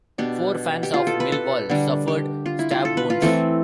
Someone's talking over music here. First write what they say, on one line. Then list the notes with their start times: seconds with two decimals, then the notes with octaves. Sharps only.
Four fans of Millwall suffered stab wounds.
0.18 B2 B3 D4 G4
0.83 G4
0.94 F4
1.07 A4
1.20 B4
1.32 A4
1.70 D3 G3 D4
2.08 G4
2.46 F4
2.59 E4
2.71 F4
2.85 A4
2.97 B4
3.10 F4
3.22 E3 A3 C4 A4